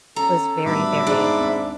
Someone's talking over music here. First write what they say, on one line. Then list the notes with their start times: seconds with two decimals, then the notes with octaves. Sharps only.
was very, very
0.16 C#4 A4 A#5
0.66 A2 F#3 G3 B3 D4 E5 B5 D6
1.07 G#2 D4
1.39 D#2 C4